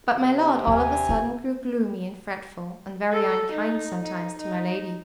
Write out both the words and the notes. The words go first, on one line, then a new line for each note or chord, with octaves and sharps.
But my lord, all of a sudden, grew gloomy and fretful, and very unkind sometimes to my lady.
C3
D#2 G#5
F4
A4
D#4
D#4
D#4